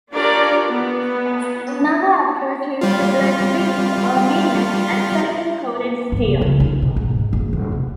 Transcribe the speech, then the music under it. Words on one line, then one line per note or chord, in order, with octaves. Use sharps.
Another approach is to blend zinc, aluminum, and silicon-coated steel.
D4 F4 G4 A#4 C#5 D5
B3
G3 F4
G2
C3
C#2
D#3
B2
G#2
F#1
D#1
C3